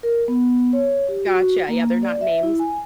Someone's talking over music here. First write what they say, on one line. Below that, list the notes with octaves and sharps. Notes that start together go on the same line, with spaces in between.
Gotcha. Yeah, they're not names,
A#4
B3
C#5
G4
F#4
A#3
D5
E5
E4
G#5